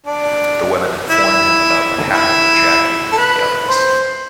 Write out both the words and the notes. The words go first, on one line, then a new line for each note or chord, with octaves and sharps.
The women inform him about what happened to Jackie and the others.
D4
E4
E4
A4
B4
C5